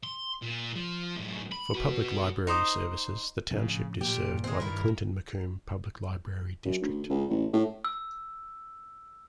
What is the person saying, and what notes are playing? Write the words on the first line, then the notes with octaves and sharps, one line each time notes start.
For public library services, the Township is served by the Clinton-Macomb Public Library district.
C6
A#2
F3
F#2 A2
B5
B3 F#4
D#4 C5 D#5 D6
A2 C#3 F3 D4
A#2 G4
E1 G2 E3
D#3 G#3 C4
G2 E4 A#4
F#2
D2
C#2
A1
A2
E6